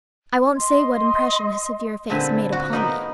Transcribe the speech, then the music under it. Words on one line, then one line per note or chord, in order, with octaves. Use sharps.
I won't say what impression his severe face made upon me.
D#5 C6
A#2 D3 C4 B4 E5 G#5
F#4
A#3 B3 D#4